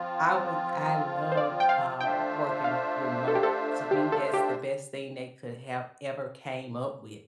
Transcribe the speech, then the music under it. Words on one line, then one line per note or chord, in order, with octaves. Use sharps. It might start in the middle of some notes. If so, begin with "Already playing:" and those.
I would I love, uh, working remote. To me, that's the best thing they could have ever came up with.
Already playing: F3 C4 F4
C5
D5
G5
F5
A3 D4 F4 C5 E5 G5
F5
A4
G4
A4
G4
A4
G4